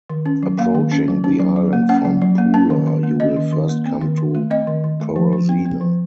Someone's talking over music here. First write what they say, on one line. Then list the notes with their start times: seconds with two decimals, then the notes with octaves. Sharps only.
Approaching the island from Pula, you will first come to Porozina.
0.10 D#3
0.26 C#4
0.43 F#3
0.59 A#3 F5
0.75 D#3
0.91 C#4
1.08 F#3
1.24 C#4
1.40 F#3
1.56 F#3
1.73 A#3
1.89 C#4 F#5
2.05 F#3
2.22 F#3
2.38 A#3
2.54 C#4 A5
2.70 D#3
2.87 D#3
3.03 A#3
3.20 C#4 D#5
3.36 D#3
3.52 D#3
3.69 A#3
3.85 C4
4.01 D#3
4.18 D#3
4.35 A3
4.50 C4 D#5
4.67 D#3
4.84 D#3
5.00 A3
5.16 F3
5.33 F3
5.49 C4
5.65 C4
5.81 F3